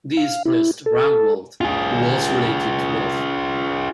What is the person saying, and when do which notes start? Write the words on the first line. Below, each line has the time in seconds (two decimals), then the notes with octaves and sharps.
This pleased Ragnvald who was related to both.
0.17 F5
0.45 E4
0.86 A4
1.61 F4 G#4